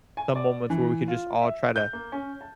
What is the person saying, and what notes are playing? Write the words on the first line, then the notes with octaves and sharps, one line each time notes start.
some moments where we could just all try to
G#5
D5
E3
F4
E5
G6
A#3
C#4
A5